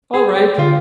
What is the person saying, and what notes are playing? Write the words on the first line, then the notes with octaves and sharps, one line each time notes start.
All right.
G#4
G4
D3 F4